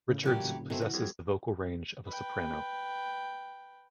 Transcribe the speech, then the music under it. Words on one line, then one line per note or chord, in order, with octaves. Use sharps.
Richards possesses the vocal range of a soprano.
A2 C#3
A#2 E3 F#3 G4
F1
B2 D#3 A3 C4 G#4
E3 F#4
F2 G3 G4 G#6
B4 G5